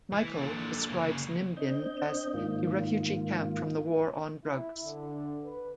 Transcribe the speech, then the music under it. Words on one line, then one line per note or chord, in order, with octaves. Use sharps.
Michael describes Nimbin as "a refugee camp from the war on drugs".
E3
A#2 D3
C#3 A#3
C4 D4 D#5 G6
G#2 D#3 A#3 F4
E4
D3
B4